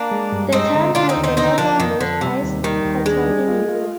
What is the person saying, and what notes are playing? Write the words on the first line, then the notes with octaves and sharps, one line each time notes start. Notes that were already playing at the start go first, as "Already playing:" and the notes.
The town has the northernmost ice hotel in Europe.
Already playing: A#3 D4
G#3
G2
G#3 C4 D#4
D3
D3 D4 F4
C4 D#4
D#2
C4 D#4
D3 C4 D#4
F3 A#3 D4
F2 D#3
F2 D3
C3 G3
D#2
D#3 G3
D#2
G#3 D4
G3
F4
F4